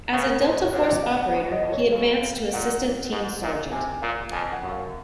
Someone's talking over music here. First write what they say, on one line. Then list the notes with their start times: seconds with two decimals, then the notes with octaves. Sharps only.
As a Delta Force operator, he advanced to Assistant Team Sergeant.
0.12 C#3
0.27 A#4
0.43 C5
0.58 C#5
0.73 C3 C#5
0.87 D#5
1.03 F5
1.17 F#5
1.32 G#2 F#5
1.52 D#5
1.62 F2
1.72 C#5
1.92 F#2 F5
2.23 F5
2.53 A#2 F#5
3.12 G#2
3.42 A#2
3.72 C3 G#5
4.02 A#2 F5
4.32 F2 G#5
4.52 F#5
4.62 F#2
4.72 F5